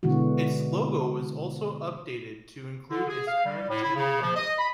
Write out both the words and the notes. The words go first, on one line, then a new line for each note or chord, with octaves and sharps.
Its logo was also updated to include its current channel number.
B2 D3 E3 G#3 F#4
D3
G#4
F5
G3
A2
E4
C#3
F3
D#5
B5